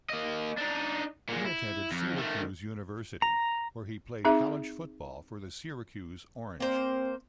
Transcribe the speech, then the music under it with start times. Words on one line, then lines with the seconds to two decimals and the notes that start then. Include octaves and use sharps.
He attended Syracuse University, where he played college football for the Syracuse Orange.
0.10 A#3 D#5
0.58 D4 D#4
1.28 A#2 G#3
1.45 E4
1.92 F2
2.17 D#3 A3
3.22 A#5
4.25 C4 D#4 G#4 E5
6.60 A#3 C4 C5